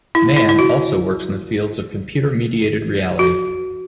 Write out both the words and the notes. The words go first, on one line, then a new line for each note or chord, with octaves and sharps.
Mann also works in the fields of computer-mediated reality.
E4
E4
E4
F#4
F#4